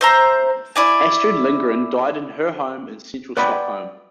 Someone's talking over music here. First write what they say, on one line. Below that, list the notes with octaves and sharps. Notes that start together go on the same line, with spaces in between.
Astrid Lindgren died in her home in central Stockholm.
C5 E5 A#5
E4 D5 G#5
B4 D5 F#5 G5 B5